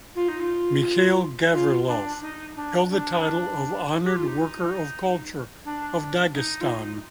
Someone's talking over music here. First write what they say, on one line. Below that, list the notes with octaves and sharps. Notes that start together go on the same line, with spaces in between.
Mikhail Gavrilov held the title of Honored Worker of Culture of Dagestan.
F4
D#4
F4
F4
D4
D#4
D4
D4
G4
F4
D#4
D4
D#4
F4
D#4